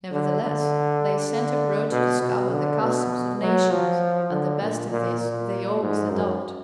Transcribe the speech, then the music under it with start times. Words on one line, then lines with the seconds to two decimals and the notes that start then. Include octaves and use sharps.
Nevertheless, they send abroad to discover the customs of nations, and the best of these they always adopt.
0.12 D3
0.42 D3
1.31 D3
1.91 B2
2.21 B2
2.51 D3
2.81 B2
3.41 F#3
3.71 F3
4.31 D3
4.61 A#2
4.91 A#2
5.20 A#2
5.81 G#2
6.10 F#2